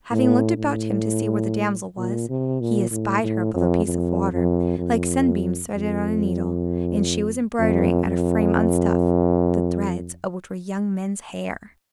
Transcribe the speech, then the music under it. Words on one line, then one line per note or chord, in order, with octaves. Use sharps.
Having looked about him to see where the damsel was, he espied her above a piece of water, like sunbeams threaded on a needle, and she was embroidering at a frame on stuff, the threads of which were young men's hair.
A2
A2
A#2
C3
A#2
A2
A2
F2
F2
F2
F2
F2
F2
F2